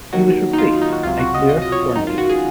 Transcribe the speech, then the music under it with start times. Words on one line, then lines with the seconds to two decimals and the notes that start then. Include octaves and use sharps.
He was replaced by Blair Thornton.
0.13 D#2 D#3 F#3 F#4
0.53 D#4
0.58 F4
0.82 D#4
0.93 F#4
1.03 C#2 C3 F#3 F4
1.19 F#4
1.34 D#5
1.49 D#5
1.62 D#5
1.72 C#5
1.96 G#1 F#2 D#3 F#3 D#4
2.07 F4
2.18 F#4
2.29 G#4